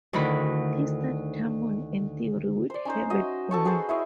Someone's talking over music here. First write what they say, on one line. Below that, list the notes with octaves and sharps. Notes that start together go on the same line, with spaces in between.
He studied harmony and theory with Herbert Bourne.
D2 D3 D#3 E4 B5
C5 D5
C#4 D#4 C5
F#4 D#5
A4 A5 C#6
F#4 G#4 B4 C5
E4 C#5 D#5